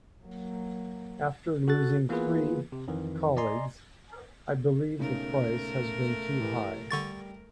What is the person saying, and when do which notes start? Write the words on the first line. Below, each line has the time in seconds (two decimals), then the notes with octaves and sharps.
After losing three colleagues, I believe the price has been too high.
0.25 F#3 A#3
1.68 F#4 A4 F#6 A6
2.09 E3 A#3 B3 F4 G#4 B4
2.72 C3
2.88 F2 D#3 E3
3.37 D5 D#5 G#5 A#5 C6
4.99 E1 C#3 A3 D#4 A#4
6.40 E3 G4 B4
6.91 D3 G3 C#6 A6